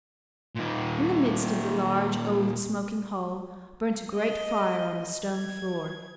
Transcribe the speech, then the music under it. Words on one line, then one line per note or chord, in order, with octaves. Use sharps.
In the midst of the large, old, smoking hall burnt a great fire on the stone floor.
A#2 D#4
D#5
G#6